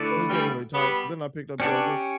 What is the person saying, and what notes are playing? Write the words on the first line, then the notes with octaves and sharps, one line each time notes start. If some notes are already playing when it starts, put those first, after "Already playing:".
So, it's getting really tight so, then I picked up yoga
Already playing: D3 A3 E4 B4 D5
E3 G3
G3 B3
B3 C#4 D4 G4 C#5